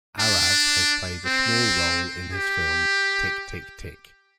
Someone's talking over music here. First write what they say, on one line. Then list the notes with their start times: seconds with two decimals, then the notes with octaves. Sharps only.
Aarav has played a small role in his film, "Tik Tik Tik".
0.20 D4
1.26 C4
2.33 G4